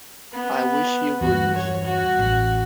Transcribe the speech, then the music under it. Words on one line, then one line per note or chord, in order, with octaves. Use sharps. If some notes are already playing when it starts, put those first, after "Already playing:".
I wish you wouldn't.
B3
E2 G2 F#4
C#5
F#4
A1